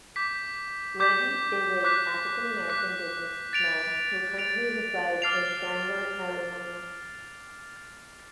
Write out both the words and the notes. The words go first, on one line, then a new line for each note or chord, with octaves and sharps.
Reggie is an African-American businessman who currently resides in Chandler, Arizona.
D6 G6 B6
D6 G6 B6
D6 F#6 B6
D6 F#6 B6
A6 D7 F7
A6 D7 F7
D6 F6 A6 C7 F7